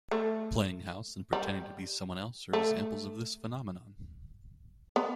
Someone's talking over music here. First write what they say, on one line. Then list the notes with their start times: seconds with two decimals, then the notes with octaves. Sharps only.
Playing house and pretending to be someone else are examples of this phenomenon.
0.11 A3
1.33 G3
2.53 A3
4.96 B3